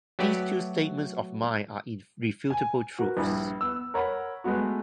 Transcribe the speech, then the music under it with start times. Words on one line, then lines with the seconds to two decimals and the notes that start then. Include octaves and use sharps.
These two statements of mine are irrefutable truths.
0.19 F#3 A3 F#4 G4 B4 D5
2.50 G#5
2.99 F#4 A#4 B4
3.17 A#1 G2 E4
3.61 B3 E6
3.94 A#4 C#5 F#5 B5
4.44 G#3 A3 B3 F#4